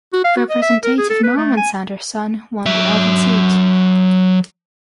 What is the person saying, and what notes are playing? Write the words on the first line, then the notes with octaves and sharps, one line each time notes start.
Representative Norman Sanderson won the open seat.
F#4
F5
F#4
D#5
E5
A#4
G#4
A4
B4
A3
G#5
F#3 E5